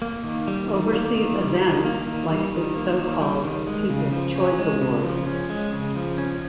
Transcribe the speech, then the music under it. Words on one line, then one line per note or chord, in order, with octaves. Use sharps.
Overseas event like this so-called "People's Choice Awards".
A#3
D#3
G3
D#3
A#3
D#3
G3
D#3
A#3
D#3
G3
D#3
A#3
D#3
G3
D#3
G#3
C#3
F3
C#4
G#3
C#3
F3
C#4
G#3
C#3
F3
C#4